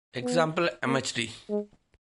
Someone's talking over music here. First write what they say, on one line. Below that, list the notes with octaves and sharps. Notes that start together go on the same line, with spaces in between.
Example mhd.
B3
A#3
G#3